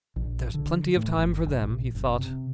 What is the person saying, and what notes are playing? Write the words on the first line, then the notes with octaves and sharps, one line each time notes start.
"There's plenty of time for them," he thought.
A#1
D3
A2
G1
F1
A#1
F#1
C3